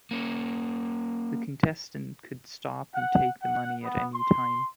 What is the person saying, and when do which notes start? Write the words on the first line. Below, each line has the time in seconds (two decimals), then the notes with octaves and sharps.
The contestant could stop and take the money at any time.
0.11 A#3 C#4
2.95 F#5
3.42 F#5
3.83 B3
4.15 C6